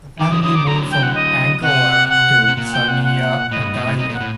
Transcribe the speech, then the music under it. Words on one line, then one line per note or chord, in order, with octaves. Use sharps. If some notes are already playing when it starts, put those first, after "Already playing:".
The family moved from Vancouver to Sarnia, Ontario.
D#3 D6
D3 F#3 D#6
D3 F#3 D#6
D#3 D6
D3 F#3 A#5
G5
F#5
D#5
C3 F#5
F#5
C3
A#2
G5
F#5
F#5
A2 D#5
F#2
G2
A2
A2
C3 D#5
A#2 F#5
A2